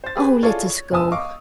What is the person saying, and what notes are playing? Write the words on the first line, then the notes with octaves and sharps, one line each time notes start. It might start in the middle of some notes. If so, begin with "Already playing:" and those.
'Oh! let us go.
C5 A6
G4 G#4 B4
E4 F4 G#4 A4 C#5 D5
C#5
E1 B4 G#5 A5 D#6 E6
D#5 F5 C#6 D6